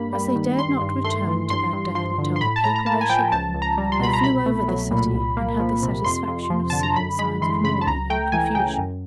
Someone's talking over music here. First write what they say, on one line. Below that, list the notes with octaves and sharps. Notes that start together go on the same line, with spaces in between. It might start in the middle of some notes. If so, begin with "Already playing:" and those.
As they dared not return to Bagdad and tell the people their chagrin, they flew over the city, and had the satisfaction of seeing signs of mourning and confusion.
Already playing: G2 A#3 B5
G3
D#3
G2 C6
G2
A3 C6
E3
G2 C6
G2
F3 C6
D3
C6
A2 B5
A5
A2 A#5
A#5
A#3 A5
G#5
F3 G5
C#2 A5
C#2
A#5
G3
C6
B2 B5
A#5
C2 B5
A3
F#3
A#2
C2
A#3
F3
C3
F2 C6
F2
F3
D3 A5
A#5
F#2 B5
G#3 B5
E3 C6
C#3 B5
A5
C#2 A#5
A3 G5
E3 G#5
C#3 G5
F#2